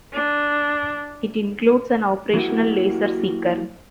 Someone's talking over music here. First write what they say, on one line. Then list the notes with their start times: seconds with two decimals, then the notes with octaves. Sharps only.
It includes an operational laser seeker.
0.13 D4
2.34 F#3 A#3 E4 F#4 G4